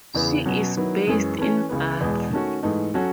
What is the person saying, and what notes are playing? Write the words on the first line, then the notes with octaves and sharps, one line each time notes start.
She is based in Bath.
E2 C#3 E3 B3
B2 F#3 C#4
D#3 F#3 B3 E4
F#2 E3 G#3 C#4 G#4
E3 A3 C#4
C#2 C#3 E3 B3
E2 B2 G#3
D#3 A3 C#4 F#4
G#2 E3 A3 D#4
F#3 C#4 F#4 A4